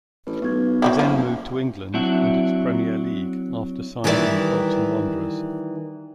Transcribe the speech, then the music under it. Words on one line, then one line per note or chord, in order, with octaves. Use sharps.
He then moved to England and its Premier League, after signing with Bolton Wanderers.
A1 B4
B1 B3 G#6
F#3 C4 E4
F#1 F3
F#3 C4 D4 E4 E5 F#5
D#3 E3 G3 D#4 D5 E5